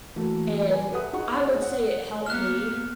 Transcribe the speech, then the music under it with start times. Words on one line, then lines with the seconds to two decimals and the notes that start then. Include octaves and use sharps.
and I would say it helped me
0.16 E3 A3 A#3 F#4
0.67 A#4 B4 G#5
0.91 G4 A4 B4 E5 F#5 D#6
1.13 D#4 F4 G#4 F#5 C#6
1.47 G#4 C#5
1.62 F#5
2.26 A#3 B3 F6 F#6